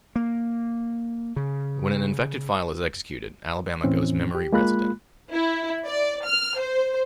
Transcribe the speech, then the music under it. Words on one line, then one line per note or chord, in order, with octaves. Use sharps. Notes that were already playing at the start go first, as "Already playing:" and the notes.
When an infected file is executed, Alabama goes memory resident.
A#3
C#3
A2 E3 C4 C#4
G4
G#3 A#3 F4 B5 F#6
E4
D5
F6
C5